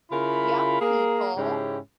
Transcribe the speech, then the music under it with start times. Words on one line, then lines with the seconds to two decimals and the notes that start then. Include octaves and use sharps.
young people
0.11 C#3 E4 F4 A#4 B5
0.80 A#3 G#4 A#4
1.36 G#2 C#3 G#3 C#4 E4 G4